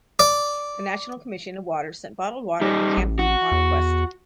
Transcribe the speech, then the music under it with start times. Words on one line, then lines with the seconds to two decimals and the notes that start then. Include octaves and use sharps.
The National Commission of Water sent bottled water and canned food upon request.
0.19 D5
2.61 G3 D#4
2.97 A1
3.19 F#4
3.52 E2